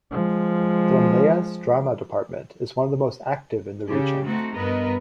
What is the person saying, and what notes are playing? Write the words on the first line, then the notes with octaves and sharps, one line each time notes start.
Thornlea's Drama Department is one of the most active in the region.
F3 G#3
C#3 G4
A3 C4 D#4 F#4
G2 B3 A#4 B4 D#5